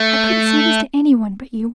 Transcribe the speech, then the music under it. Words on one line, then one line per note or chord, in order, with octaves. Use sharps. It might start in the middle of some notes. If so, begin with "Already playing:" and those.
I couldn't say this to any one but you.
Already playing: A3